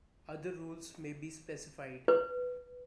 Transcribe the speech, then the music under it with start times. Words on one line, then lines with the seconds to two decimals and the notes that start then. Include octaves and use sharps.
Other rules may be specified.
2.08 B4